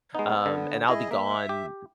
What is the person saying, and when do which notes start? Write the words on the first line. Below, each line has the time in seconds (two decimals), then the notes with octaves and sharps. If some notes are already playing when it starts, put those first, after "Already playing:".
Um, and I'll be gone
0.15 G#3 B3 D#4
0.46 D3
0.89 E4 G#4 D#5
1.11 A#3 E5
1.49 G4